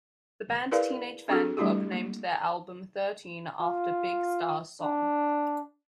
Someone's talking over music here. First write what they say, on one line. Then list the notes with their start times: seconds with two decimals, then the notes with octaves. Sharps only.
The band Teenage Fanclub named their album Thirteen after Big Star's song.
0.72 E4 G#4 A#4 B4 D5 F5
1.28 C4 D4 F#4 G#4 A4
1.57 G3 A3 D4 E4 G4 G#4
1.92 A#3
3.60 F4
4.81 D4